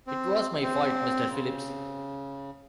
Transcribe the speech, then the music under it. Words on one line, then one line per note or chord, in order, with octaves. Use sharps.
It was my fault Mr. Phillips.
C4
C4
C#3